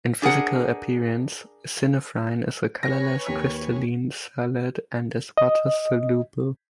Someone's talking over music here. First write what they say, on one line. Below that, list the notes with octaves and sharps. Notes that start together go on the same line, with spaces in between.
In physical appearance, synephrine is a colorless, crystalline solid and is water-soluble.
D4 G#4 A#4 F#5
B4 C#5 G#5 A#6
D#2 B6
D#5